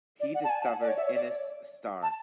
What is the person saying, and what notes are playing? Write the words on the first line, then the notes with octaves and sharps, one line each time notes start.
He discovered Innes star.
D5
F#5
A5
G#5
F#5
D5
C#5
E5
C#5
D5
A5